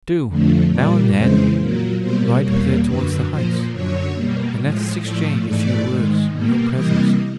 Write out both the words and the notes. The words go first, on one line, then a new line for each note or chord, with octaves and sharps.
Do, now and then, ride with her towards the Heights; and let us exchange a few words, in your presence!
F2 D3 F3 A3
A#2 G3 A#3 D5
F2 C#3 E3 G#3 C5
A#2 F#3 A#3
B2 G3 A#3 C5
E2 B2 G3 A#3 C#5
F#2 D3 F#3 B4
A#2 F3 A#3 C5
F#2 D3 F#3 C#5
B2 G3 A#3
A2 F3 G#3
A2 F3 A3 D5
G#2 E3 A3 D5
G#2 D#3 G#3
B2 G3 A#3
C3 E3 G3 A#3 D#5